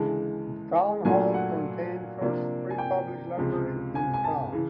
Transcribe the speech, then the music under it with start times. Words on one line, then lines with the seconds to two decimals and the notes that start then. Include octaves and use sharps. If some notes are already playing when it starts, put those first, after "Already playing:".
The town hall contained first free public library in the town.
Already playing: D2 C#3 E3 G#3 A5
1.05 A#2 F#3 A3 D4 F4 G#5
1.34 F#5
2.21 C3 F3 A#3 D4
2.70 G#5
2.78 G5
3.37 C#2 C3 F3 G#3
3.95 G#5
4.14 G#5
4.24 A5
4.52 C#3 E3